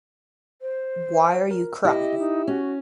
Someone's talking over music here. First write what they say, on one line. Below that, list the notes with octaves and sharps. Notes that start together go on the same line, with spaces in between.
Why are you crying?
C5
A#4
E4 G4 D#5
D#4
C#4 F#4